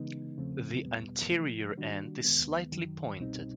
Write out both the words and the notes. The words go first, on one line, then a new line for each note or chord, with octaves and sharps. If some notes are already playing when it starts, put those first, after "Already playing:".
The anterior end is slightly pointed.
Already playing: C#3 E3 G#3 B3 D#4
E2 C#3 F3 A3 C4
E2 B2 G3 B3
C3 F3 A3
D#3 G3 A#3 D4 F#4
D#2 D#3 G#3 B3
F#2 D#3 F#3
C2 B2 G3 C4 D#4